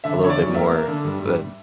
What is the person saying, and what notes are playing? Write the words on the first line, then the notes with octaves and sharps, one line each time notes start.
a little bit more, uh,
D3 E5
D3 C#5
D5
F#2
A#3 E5
A#3
D3
G2
G2